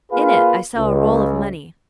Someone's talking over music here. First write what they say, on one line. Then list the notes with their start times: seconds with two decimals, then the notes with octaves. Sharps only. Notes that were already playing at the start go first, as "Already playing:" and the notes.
In it I saw a roll of money.
0.12 A#3 F4 G#4 B4 F5
0.76 C#2